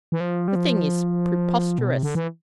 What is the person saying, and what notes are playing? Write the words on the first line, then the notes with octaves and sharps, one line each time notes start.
The thing is preposterous!
E3
F3
G3
F3
B2
C3
D3
E3